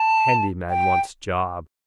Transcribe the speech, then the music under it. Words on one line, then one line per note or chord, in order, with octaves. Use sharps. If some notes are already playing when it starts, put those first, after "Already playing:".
Handy man wants job.
Already playing: A5
G5